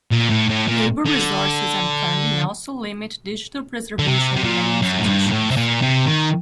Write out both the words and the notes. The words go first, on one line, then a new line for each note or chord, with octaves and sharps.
Labour resources and funding also limit digital preservation in many institutions.
A#2
A2
A2
A#2
D3
D3
C3
C3
A#2
F#2
A2
G2
A#2
A2
C3
A#2
C3
D#3